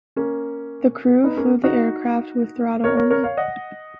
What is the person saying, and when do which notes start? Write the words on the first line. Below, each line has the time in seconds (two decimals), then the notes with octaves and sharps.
The crew flew the aircraft with throttle only.
0.16 A#3 C#4
1.24 B3 D#4
1.37 A#3 C#4
1.64 D#4 F#4
2.84 A#4 C#5
2.97 A#4 C#5
3.10 A#4 C#5
3.23 C#5 F5
3.37 D#5 F#5